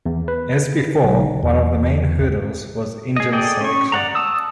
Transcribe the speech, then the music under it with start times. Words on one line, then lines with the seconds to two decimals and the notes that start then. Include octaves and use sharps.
As before, one of the main hurdles was engine selection.
0.06 E2
0.28 B4
1.04 B1
1.43 E2
3.16 G#4 D#5
3.33 G#4 A4 D5 D#5 G5
3.61 C#4 C#6
3.92 D5 F#5 A#5
4.15 A5 D#6 E6